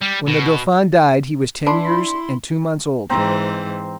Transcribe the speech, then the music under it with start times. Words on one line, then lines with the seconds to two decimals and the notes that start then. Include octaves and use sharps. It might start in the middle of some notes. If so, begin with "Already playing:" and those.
When the dauphin died he was ten years and two months old.
0.01 G3
0.27 B2
1.67 D4 E4 B5 C6
3.10 G#2 E3 C4 C5 A#5